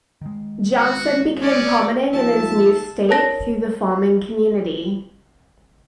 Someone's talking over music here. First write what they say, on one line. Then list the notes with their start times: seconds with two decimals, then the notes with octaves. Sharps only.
Johnson became prominent in his new state through the farming community.
0.21 D#3 G#3
0.76 F#4
1.41 C#4 D5
2.13 D#2 F3 E5 A5
3.09 A#4 C#5 A5 A#6